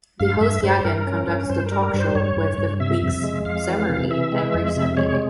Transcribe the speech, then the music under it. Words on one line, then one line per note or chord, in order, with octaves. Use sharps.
The host Jagan conducts the talk show with the weeks summary every Sunday.
G2 F5
G2 E5
G2 C5
G2 A#4
C#4
G2
G2 C5
A#4
G3
A#4
G2 C5
G2 C#5
G2
G2
C3 E5
F2
G#3
F2 F5
E3
C3
E3 E5
G#3
F2
C3 E5
G#3 C#5